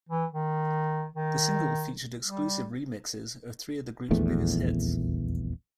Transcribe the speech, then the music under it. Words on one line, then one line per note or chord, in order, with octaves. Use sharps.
The single featured exclusive remixes of three of the group's biggest hits.
E3
D#3
D#3
G3
D#1 A#1 E2 A3